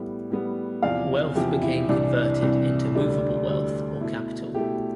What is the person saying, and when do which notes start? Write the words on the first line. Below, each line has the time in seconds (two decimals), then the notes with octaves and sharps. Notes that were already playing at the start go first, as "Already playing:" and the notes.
Wealth became converted into movable wealth or capital.
Already playing: A2 G3 B3
0.30 A2 G3 B3
0.83 E2 C3 F3 D5 F5
1.36 E2 C3 F3 E4 G4
1.63 E4
1.89 C2 C3 E3 D4
2.42 C2 C3 E3
2.95 D2 D3 G3 D4
3.48 D2 D3 G3
4.01 B2 A3 E4
4.55 B2 A3 E4 G4